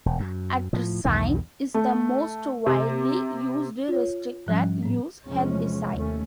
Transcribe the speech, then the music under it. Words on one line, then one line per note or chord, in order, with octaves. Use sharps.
Atrazine is the most widely used restricted-use herbicide.
E1
F#2
A2 F3
B1 E2 G2 D#3
A3
C3
F4 C#5
G#2 F3 G3 C#4
A2 B3
E2 C3 F3 G#3 C#4
D#2 A3 C#4